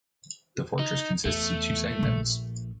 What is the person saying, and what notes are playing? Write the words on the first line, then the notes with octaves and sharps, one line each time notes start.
The fortress consists of two segments.
D#4
E2 A3
A#1